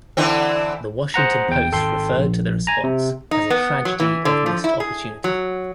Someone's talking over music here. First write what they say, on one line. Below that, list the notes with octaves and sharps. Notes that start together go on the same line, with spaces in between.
The Washington Post referred to the response as "a tragedy of missed opportunity".
D3 E3 C4
G#4 C5 F#5 A#5
E2 G5
G#1 A4 G5 C6
A#1
G#5 A#5
C3
D#4
B3
F#3
E3
D3
F3
E4
G#4
F#3